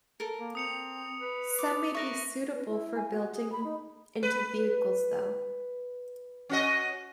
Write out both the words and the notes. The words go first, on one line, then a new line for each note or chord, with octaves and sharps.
Some may be suitable for building into vehicles though.
A4 A#4
A#3
C4 D#6 C#7 F7
B4
D6
A#4 B4 E5 C#6 A#6
B4
E4
G#5
F#4
G#4
B5
D#4
B4
C#4 F#4 D#5